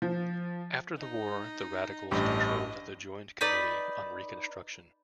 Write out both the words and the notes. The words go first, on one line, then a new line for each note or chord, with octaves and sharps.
After the war the Radicals controlled the Joint Committee on Reconstruction.
F3
D#4
A1 G2 D4 G4 D#5
D#4 B4 D5